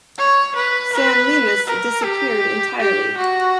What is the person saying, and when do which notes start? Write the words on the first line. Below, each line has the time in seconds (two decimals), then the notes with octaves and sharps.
"San Lesmes" disappeared entirely.
0.18 C#5
0.55 B4
0.93 B4
1.67 A#4
2.04 G4
2.79 G4
3.17 F#4